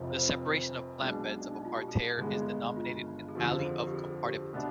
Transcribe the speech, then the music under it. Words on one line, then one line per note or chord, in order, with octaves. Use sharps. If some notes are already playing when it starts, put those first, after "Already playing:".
The separation of plant beds of a pareterre is denominated an "alley of compartiment".
Already playing: F1 F2 C3 F3
C5
B1 B2 G#3 D4 B4
D4
D#4
F4
G4
G#4
G1 G2 D#3 G#3 B3 G#4
F4
G#4
F2 D3 F3 G4
G#4
G4
G#4
G4
B2 B3 D4